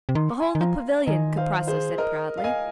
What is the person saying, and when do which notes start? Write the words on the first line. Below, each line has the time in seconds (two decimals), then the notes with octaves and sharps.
'Behold the Pavilion,' Kuprasso said proudly.
0.09 C3
0.15 D#3 C6
0.40 G#5 C6
0.55 D#3
0.61 F3 F5 A#5
1.06 D#3 D#5 G#5
1.37 C5 F5
1.68 G#4 C5
1.98 A#4 D#5
2.38 F5
2.44 D#5 G#5